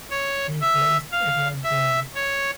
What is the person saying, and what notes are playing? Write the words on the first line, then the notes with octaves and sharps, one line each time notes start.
He replaced Eduard Vilde.
C#5
E5
F5
E5
C#5